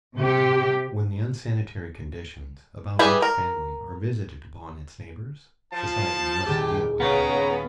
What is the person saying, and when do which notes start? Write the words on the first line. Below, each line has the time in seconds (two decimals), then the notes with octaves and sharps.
When the unsanitary conditions about each family are visited upon its neighbors, society must deal with them.
0.16 C3 G4
2.99 E3 G3 G#4 B4
3.22 A#4
5.72 F3 A5
6.45 D#1 A2 G4 G#4 E6
7.00 C#3 B3 F5 G5 A#5 C#6